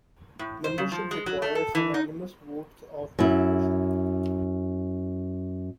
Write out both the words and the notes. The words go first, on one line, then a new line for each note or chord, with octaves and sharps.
Membership requires unanimous votes of the membership.
A2
C5
C#3
F3
G#3
F#3
A3
A4
E3
D#4
F#2 E4